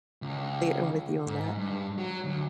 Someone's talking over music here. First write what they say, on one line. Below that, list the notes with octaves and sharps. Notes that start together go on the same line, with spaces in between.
am with you on that.
C#2
G#2
G2
F#3
D2